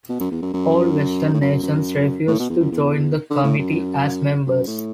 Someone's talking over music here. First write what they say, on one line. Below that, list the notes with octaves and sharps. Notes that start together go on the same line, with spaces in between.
All Western nations refused to join the committee as members.
B2
F#2
E2
F#2
F#2
A2
F#2
F#2
A2
B2
E2
F#2
E2
D3
A2
F#2
F#2
A2